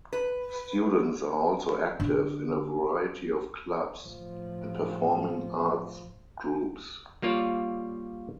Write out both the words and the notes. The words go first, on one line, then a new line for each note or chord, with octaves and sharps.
Students are also active in a variety of clubs and performing arts groups.
B4
D3
A2 F3
G3 A#3 F4 C#5 D5